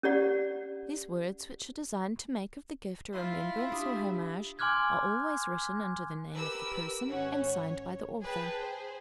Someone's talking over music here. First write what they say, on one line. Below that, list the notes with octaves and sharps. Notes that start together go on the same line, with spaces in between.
These words, which are designed to make of the gift a remembrance or homage, are always written under the name of the person, and signed by the author.
C#4 G4 D5 F#5
E4 F4 E5 C6
D4 G4 B5 D#6
G#5 C6 D6 F6 F#6 G#6
G4 A#4 B4 E6
G#1 C#4 F#5
C#5
G#4 B4 G5 A5
G#4 C5